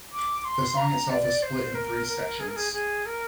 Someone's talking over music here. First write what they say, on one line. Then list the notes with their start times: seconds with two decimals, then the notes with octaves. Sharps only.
The song itself is split in three sections.
0.12 D6
0.45 C6
0.77 A#5
1.10 D5
1.43 C5
1.75 A#4
2.08 A#4
2.40 G#4
2.48 A#4
2.56 G#4
2.73 G#4
3.06 A#4